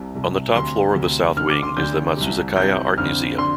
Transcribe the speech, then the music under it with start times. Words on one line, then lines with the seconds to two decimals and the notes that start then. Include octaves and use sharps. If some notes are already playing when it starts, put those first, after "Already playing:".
On the top floor of the south wing is the Matsuzakaya Art Museum.
Already playing: C2 C3
0.15 C2 C3
0.55 D2 C3 C6
0.96 D2 C3
1.37 D2 D3 F6
1.50 D6
1.63 C6
1.77 D2 D3 G6
2.17 C2 C3
2.57 C2 C3 G6
2.98 F2 D3 F6
3.38 D3 C6